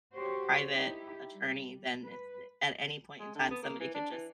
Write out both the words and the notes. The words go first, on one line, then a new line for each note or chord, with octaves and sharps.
a private attorney, then a a at any point in time, somebody could just
F#4 G4 C5 C#5
D#4 E4 G4
G3
B4
G#3
D3
B3
A#3
E3
D4
E3